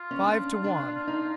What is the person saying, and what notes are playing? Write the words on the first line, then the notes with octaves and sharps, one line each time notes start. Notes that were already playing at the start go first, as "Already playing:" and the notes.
Five to one!
Already playing: F4
C#4
D4
D4
D#4